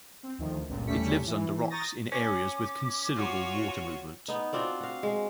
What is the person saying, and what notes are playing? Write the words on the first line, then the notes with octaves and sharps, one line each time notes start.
It lives under rocks in areas with considerable water movement.
C4
D2 D#3 F3
G1 C#2 A#2
E2 G3 A3 C#4 B6 C#7
E3
A#5 C#6 D#6 G6 A6 A#6
C#4 D6
F4 F#4 C#5
B3 D#4
C4 D4 F4 F#4
F#4 F5
G#3